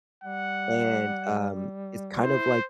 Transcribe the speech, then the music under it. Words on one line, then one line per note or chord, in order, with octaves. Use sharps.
and, um, it's kind of like
G3 F#5
E4 C5